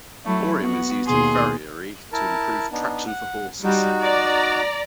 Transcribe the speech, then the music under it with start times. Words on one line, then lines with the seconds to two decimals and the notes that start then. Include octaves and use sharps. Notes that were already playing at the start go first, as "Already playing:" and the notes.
Borium is used in farriery to improve traction for horses.
0.24 F#3 A3 E4
0.60 B3 F#4
1.08 D#2 B2 G#4 C6
2.13 E4 A#4 A5
2.72 B3 D4 D#4
3.07 F#5
3.64 G3 D#4 F#4
4.02 D5 A#5